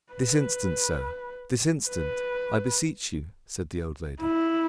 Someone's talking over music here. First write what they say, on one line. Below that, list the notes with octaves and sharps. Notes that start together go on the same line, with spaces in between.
"This instant, sir--this instant, I beseech you!" said the old lady.
B4
B4
E4